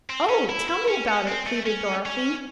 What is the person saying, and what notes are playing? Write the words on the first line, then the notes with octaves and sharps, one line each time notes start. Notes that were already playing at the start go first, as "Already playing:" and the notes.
"Oh, tell me about it!" pleaded Dorothy.
C4
C#4
E4
E4
C#4
C#4
C4
A3
C#4
C#4